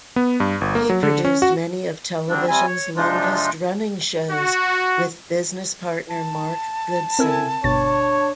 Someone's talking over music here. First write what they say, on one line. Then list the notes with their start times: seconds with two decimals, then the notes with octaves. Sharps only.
He produced many of television's longest running shows with business partner Mark Goodson.
0.16 B3
0.40 G2
0.61 G1
0.75 A#3
0.90 F#3
1.03 D3
1.25 C#4
1.42 F#4
2.29 D3 F#3 G3 C4 D4
2.48 C3 G3 C4 G#5
2.66 C#5
2.96 C3 F3 G#3 D4 D#4 F4
4.30 F#4
6.09 A5
7.19 C4 E4 A4 A#4 G#5 E6
7.64 G1 B2 D4 C#5 A6